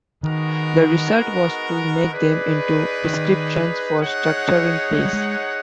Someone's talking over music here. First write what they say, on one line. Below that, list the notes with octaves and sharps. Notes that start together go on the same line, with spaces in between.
The result was to make them into prescriptions for structuring plays.
D#3 G#3 B3 D#4 F#4 A#4
D#4 G#4 B4 D5
D#3
D#4 G#4 C#5 F#5
A3
G#3
G3
G#3